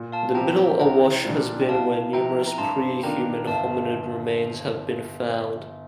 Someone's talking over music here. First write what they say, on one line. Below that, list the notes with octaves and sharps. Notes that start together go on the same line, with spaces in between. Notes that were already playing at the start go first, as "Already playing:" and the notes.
The Middle Awash has been where numerous pre-human hominid remains have been found.
Already playing: A#2
F5 A5
F3 C4 G4 G5 A#5
C2 G5 A#5
A#2 G3 D4
G5
C2 F5 A5
C3 F3 G5 A#5
A#5
G2 A5 C6
D#3 A#3 D4 F4 G5 A#5
G1 F5 A5